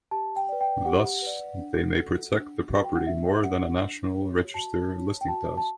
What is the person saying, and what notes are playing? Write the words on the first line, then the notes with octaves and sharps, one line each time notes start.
Thus, they may protect the property more than a National Register listing does.
G4 A5
G5
B4 D5
G5
G4 F#5
B4 D5
D4
F#4 A4
D4
F#4 A4
G5
F#5
D4 E5
G4 C#5 F#5
D4
G4 C#5
F#4 A5
C#5
G5
F#4 A5
A5